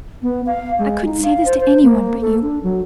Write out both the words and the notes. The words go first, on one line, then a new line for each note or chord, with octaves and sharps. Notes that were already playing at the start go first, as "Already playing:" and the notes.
I couldn't say this to any one but you.
B3
F5
G#3
D#4
F5
C5
C5
A#3
A4
D4
F#3